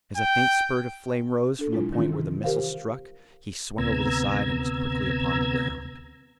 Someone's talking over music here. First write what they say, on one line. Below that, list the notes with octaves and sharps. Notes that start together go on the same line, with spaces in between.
As a faint spurt of flame rose from the point where the missile struck he swung over the side and was quickly upon the ground.
G5
D4 A4
B2 F#3 G#3 D4 E4 F4
D#3 E3 G3 C#4 D4 F4
C3
G4 A#4 C5 F5
D2 C3 B3 A#5 E6 G#6